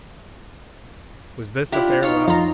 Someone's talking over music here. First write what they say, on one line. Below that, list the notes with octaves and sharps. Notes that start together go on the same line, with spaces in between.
Was this a farewell?
D4 E4 F4 G4
D#4 F4 C#5
F2 F4 A#5